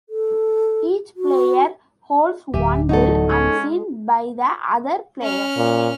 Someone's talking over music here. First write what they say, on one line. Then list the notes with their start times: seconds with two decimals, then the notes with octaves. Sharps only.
Each player holds one bill, unseen by the other players.
0.09 A4
1.17 F#4
2.54 D1 D2 G4 E5 G#5
2.89 E2 F#3 A3 D#4 A4
3.29 G#3 C#4
5.21 C#4 F6
5.57 A#2